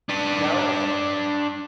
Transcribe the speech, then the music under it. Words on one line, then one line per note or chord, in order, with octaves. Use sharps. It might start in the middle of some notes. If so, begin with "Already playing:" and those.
You know it.
D4 B4